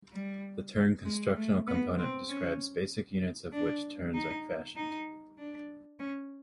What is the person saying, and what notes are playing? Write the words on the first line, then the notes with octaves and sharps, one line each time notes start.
The turn constructional component describes basic units out of which turns are fashioned.
G3
G#3
A3
B3
C4
C#4
D4
D#4
D#4
D4
C#4